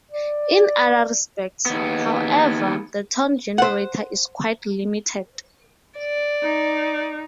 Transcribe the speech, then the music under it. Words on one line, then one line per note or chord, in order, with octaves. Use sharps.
In other respects, however, the tone generator is quite limited.
D5
D#2 B3
C5 F#5
D5
D#4